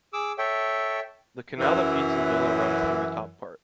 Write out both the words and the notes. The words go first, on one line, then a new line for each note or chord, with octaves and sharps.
The canal that feeds the villa runs through the top part.
G#4 D6 E6
A4 C#5 E5 G5
F#2 E3